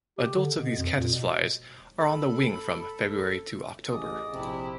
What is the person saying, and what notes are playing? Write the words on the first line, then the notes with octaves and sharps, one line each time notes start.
Adults of these caddisflies are on the wing from February to October.
G4
D3
B2
F2
A#2
B2
A4 B5
A1 G#4 D5 D#5 D#6
A#1 C3 E4 G4